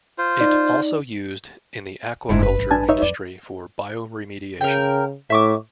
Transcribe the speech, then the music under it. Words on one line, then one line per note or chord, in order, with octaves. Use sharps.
It also used in the aquaculture industry for bioremediation.
F4 C5
D#4 D5
F#1 D2 G#2 C#3 E4
B4
A1 G2
D4 G#5 A5
D#4 C#5 E5
F2 D5
C#3 A#4 G5
A2 E5 C#6 D6